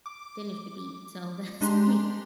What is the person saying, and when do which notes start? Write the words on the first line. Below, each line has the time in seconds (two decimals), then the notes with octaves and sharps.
finish the beat, so, that's on me,
0.06 D6
1.61 G#3 D4 G4 A#5 C6